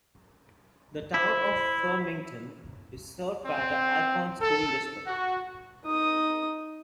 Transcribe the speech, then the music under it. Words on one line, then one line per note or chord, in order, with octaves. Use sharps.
The town of Farmington is served by the Alcorn School District.
E4 C5
C4
A4
F#4
D#4 D#6